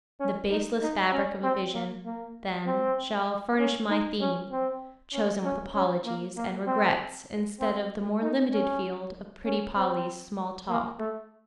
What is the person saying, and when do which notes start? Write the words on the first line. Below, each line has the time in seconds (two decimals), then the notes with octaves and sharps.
The baseless fabric of a vision, then, shall furnish my theme--chosen with apologies and regrets instead of the more limited field of pretty Polly's small talk.
0.20 C#4
0.51 D#4
0.82 D#4
1.12 C#4
1.43 C4
1.74 A#3
2.05 A#3
2.66 C4
3.59 C#4
3.90 D#4
4.20 C#4
4.52 C4
5.13 C#4
5.44 C#4
5.75 C#4
6.05 A#3
6.37 A#3
6.67 C4
7.60 C4
8.22 D#4
8.52 C#4
9.45 C#4
9.76 C4
10.69 A#3
10.99 A3